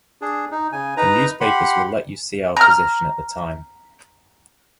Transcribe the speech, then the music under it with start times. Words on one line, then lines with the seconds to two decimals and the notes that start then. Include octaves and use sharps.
The newspapers will let you see our position at the time.
0.22 D4 G#4
0.51 D#4
0.72 C#3 G#5
0.97 D#4 B4 A#5
1.41 G4 F#5 B5 C6
2.56 A#5 F6